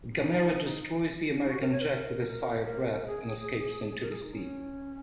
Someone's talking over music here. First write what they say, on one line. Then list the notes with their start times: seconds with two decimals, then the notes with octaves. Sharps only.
Gamera destroys the American jet with his fire breath and escapes into the sea.
0.14 D#4
1.30 C#4
1.40 D#4
1.50 F#4
1.61 A#4
1.71 C#5
1.81 A#4
2.65 A#4
3.07 G#4
3.90 G#4
4.01 A#4
4.12 G#4
4.22 D#4
4.33 C#4